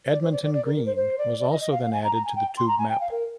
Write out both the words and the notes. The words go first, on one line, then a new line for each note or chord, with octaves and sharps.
Edmonton Green was also then added to the Tube map.
D5
C5
D5
D5
D5
A#4
A#4
C5
C5
D5
D5
D#5
D#5
F5
F5
G#5
A#5
A#5
G#5
G5
C6
A#5
G#5
G5
F5
A#4